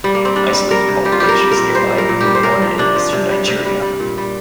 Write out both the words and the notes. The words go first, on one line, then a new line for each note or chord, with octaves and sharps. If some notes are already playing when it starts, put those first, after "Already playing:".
Isolated populations nearby include one in eastern Nigeria.
G3
A#3
C4
G3 D4
G3
G3 A#4
C3
G3 G4
F4
G3 G4
A#4
G3
A#4
A#2
G3 C5
G3
A#4
A#2
G4
G3
C5
C3 A#4
F3
C3 D4
F3
C3
G3
C3
G3
G3
A#2
G3